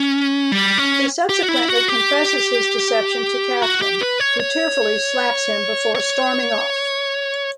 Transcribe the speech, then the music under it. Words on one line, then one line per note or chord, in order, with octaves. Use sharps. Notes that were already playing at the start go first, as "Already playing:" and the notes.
He subsequently confesses his deception to Katherine, who tearfully slaps him before storming off.
Already playing: C#4
G3
C#4
G4
F#4
E4
F#4
G4
F#4
G4
B4
C#5
C#5
C#5